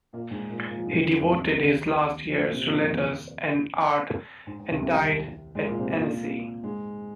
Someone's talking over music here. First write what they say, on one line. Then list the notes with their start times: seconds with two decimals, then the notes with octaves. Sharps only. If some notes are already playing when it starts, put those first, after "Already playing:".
He devoted his last years to letters and art, and died at Annecy.
0.13 A#2 A#3
0.31 G#2 G#3
0.49 A#2 A#3
0.67 A#2 A#3
0.78 F3
0.86 G#2 G#3
0.97 F2 F3
1.10 F2 F3
1.22 D#2 D#3
1.39 C2 C3
1.57 D#2 D#3
2.30 F2 F3
2.42 A#2 A#3
2.53 C3 C4
2.66 A#2 A#3
2.78 F2 F3
2.90 D#2 D#3
4.47 G#2
4.59 G#2
4.71 C2 C3
4.83 C2 C3
4.94 C3
5.02 D#2 D#3
5.55 G#2 G#3
5.67 A#2 A#3
5.80 C3 C4
5.91 A#2 A#3
6.63 G#2 G#3